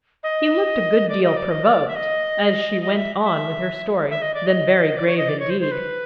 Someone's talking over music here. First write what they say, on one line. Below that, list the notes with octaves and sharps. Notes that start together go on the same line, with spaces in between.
He looked a good deal provoked as she went on with her story; then very grave indeed.
D#5
D5
D#5
D5
D#5
D5
E5
D#5
D#5
E5
E5
E5
D#5
D5
D#5
D5
C#5
D#5
D5
C#5
C5
C5
B4